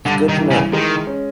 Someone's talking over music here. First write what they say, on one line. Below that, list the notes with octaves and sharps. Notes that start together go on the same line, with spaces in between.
It's good to know.
G2 D3
D#3
E3
C#3
D#3 G#3
C#4